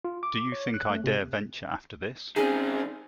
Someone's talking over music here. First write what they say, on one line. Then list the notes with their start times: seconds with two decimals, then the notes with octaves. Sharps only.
Do you think I dare venture after this?
0.05 F4
0.23 D6
0.52 C#5
0.74 F#6
0.90 A3
1.04 C3
2.36 D#3 C4 C#4 G#4